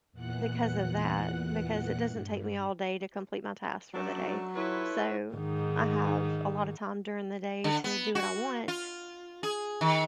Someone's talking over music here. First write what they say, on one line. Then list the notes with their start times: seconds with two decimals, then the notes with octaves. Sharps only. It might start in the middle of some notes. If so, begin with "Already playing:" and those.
because of that, because it doesn't take me all day to complete my tasks for the day, so I have a lotta time during the day to do what I want,
0.12 E2 A#2 E3 F#5 F#6
2.08 G2
3.94 F#2 F#3 A3 D4
4.55 E4 F4 A4 B4 C#5
5.34 G#2 D#3
7.64 D3
7.84 B3
8.15 F#4
8.68 F4
9.43 G#4
9.81 D#3